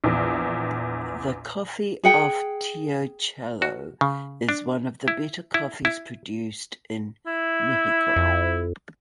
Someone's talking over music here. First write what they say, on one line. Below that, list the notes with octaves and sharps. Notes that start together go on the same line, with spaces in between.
The coffee of Teocelo is one of the better coffees produced in Mexico.
A#1 E2
G#4 F#5 G5
F#4
C#3
D4
E4
E4
E4
E4
F2